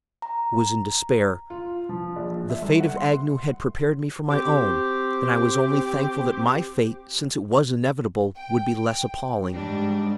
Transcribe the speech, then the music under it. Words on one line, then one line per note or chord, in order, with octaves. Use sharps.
I was in despair. The fate of Agnew had prepared me for my own, and I was only thankful that my fate, since it was inevitable, would be less appalling.
A#5
F4
F3
A#1
E5
G1
F#5
C6
C4 F#4 G4
G5
G#2 G3 D4